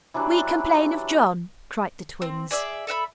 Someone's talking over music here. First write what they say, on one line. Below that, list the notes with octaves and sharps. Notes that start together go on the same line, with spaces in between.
'We complain of John,' cried the twins.
E3 F#3 G3 D4
C4
G#4 D5 E5
A4 E5 F#5 B5